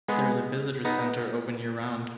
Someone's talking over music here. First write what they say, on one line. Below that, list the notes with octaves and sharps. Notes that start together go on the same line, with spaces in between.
There is a visitor center open year-round.
G#3 B3
B3 D#4